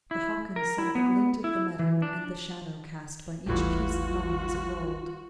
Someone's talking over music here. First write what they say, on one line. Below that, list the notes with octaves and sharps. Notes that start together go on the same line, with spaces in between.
The Hockins saw the glint of the metal, and the shadow cast by each piece of money as it rolled.
E4
A#4
E4
B3
E4
E3
D4
G#1 D#2 A2 E3 G3 F4 F#4